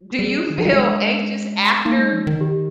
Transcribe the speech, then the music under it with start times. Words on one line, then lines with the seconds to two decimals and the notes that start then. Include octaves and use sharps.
do you feel anxious after?
0.18 G3 G#4
0.47 D#3 D4
0.58 F3
0.66 G3
0.74 G#3
1.85 A#3 D#4
1.99 G#3
2.13 F3
2.27 D#3
2.41 G4